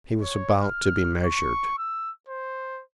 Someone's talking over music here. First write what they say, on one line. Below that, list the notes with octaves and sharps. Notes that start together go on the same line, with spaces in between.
He was about to be measured.
C#5
F6
C#6
E6
C5